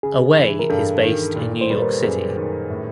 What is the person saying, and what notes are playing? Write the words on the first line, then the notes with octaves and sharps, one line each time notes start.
Away is based in New York City.
C#3 G#4
E3
A#4
G2 A4
D#3
A#2
C5
G3 B4
A#4
A4
F#2 G#4
D#3
A2